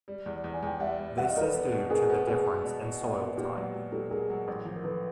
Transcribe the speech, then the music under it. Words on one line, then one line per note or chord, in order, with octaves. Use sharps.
This is due to the difference in soil type.
G3
E2
E2
G#5
E2 G5
G3 E5 F#5
G3
G3 E5 F#5
D#5 F5
E2 A4 A#4 B4
B3
B2
B2 G#4 A#4
B3
B2 G#4
B3
B2
B2
A#2
B3
A#2 G4
F#3
F#3
F#3 G4 A4
F#3 G#4 A#4
F#3
A1
F3
A#4
F3 A4 B4